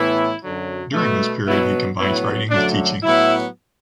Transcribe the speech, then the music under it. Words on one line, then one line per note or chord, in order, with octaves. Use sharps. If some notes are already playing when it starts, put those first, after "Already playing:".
During this period, he combines writing with teaching.
Already playing: A2 E3 B3 E4
F#2 D3 F#3
B2 A3
B2 F#3 B3 E4
A2 F#3 B3 E4
F#2 D3 F#3 A3 D4
A2 F#3 B3 E4